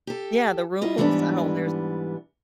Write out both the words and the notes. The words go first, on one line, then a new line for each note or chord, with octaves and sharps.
Yeah, the rules? Oh, there's
G4 A4
G3 F4 D#5
G#2 E3 G3 B3 C#4 D4